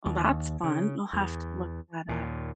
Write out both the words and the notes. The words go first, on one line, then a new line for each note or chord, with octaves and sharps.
Oh, that's fun, I'll have to look that up.
D#2
C#3
E2
D#2 A#2